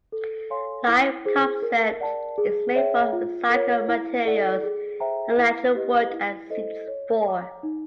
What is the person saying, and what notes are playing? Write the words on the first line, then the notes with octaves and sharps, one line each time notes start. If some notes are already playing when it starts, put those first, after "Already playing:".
Life concept is made from recycle materials and natural wood and seats four.
A4
C#5 F5 G#5 C6
E4
G#4 C5
A#4
D5 F#5 A5
G#4
C#5 E5 G5
F4
A#4 C#5
E4
A4 D5 F#5
G#4
C5 E5 G5 A#5
E4
G4 B4 D#5
E4
A4 C5 D#5
C#5
F#5 A#5 D6
D#4